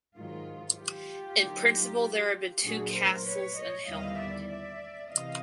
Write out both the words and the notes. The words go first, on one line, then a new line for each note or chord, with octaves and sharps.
In principle there have been two castles in Helmond.
G#2 D#3 F#3 F4
F4 G4
D3 F#3 A#3 D#4
A#2 F#3 A3 D4 F#4 G#4
A#4 C5
B4 C#5
C#5 D#5
D#2 D3 G3 B3 E4 D#5 F5
D5 E5
D5 E5
C3 E3 D#5 F5